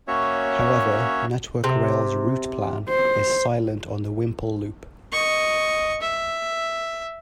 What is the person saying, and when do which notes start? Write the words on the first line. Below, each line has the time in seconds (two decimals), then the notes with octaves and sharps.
However, Network Rail's Route Plan, is silent on the Whimple loop.
0.08 A#3 C#4 F#4 C#5 E5
1.64 C3
2.89 C5
5.12 D#5 C#6
6.01 E5